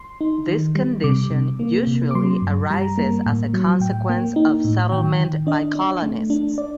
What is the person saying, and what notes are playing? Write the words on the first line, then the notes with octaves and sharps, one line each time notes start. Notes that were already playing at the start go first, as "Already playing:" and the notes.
This condition usually arises as a consequence of settlement by colonists.
Already playing: C6
D#4
D#3
G3
C3 D6
C3
A#3
C3
D6
F#3 C6
G2
G3 A#5
A#3
A2
F#3
A2 G5
A#3
D#4
A2
D#3 G5
D#3
D4 D#5
D4
A3
D4
D5